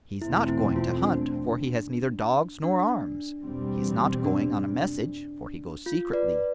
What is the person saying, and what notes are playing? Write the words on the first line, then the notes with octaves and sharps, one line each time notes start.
He's not going to hunt, for he has neither dogs nor arms; he's not going on a message, for he goes secretly.
E2 B2 A3 C4 E4
E4
F4
D4
D4
E2 B2 G3 C4
D4
F4
B4 D5